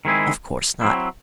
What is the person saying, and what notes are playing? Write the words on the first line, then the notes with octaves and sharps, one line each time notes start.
Of course not!
D#3 G#3 C4 E4 G#4
F#3 C4 E4